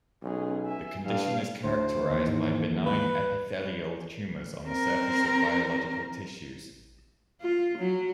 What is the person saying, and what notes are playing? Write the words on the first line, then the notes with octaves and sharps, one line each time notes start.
The condition is characterized by benign epithelial tumours on the surface of biological tissues.
B1 C#4 G#4
E5 G#5
G2 F5
D2 C5
D#2 E3
G#2
B4
C4 A#4
F4
F#3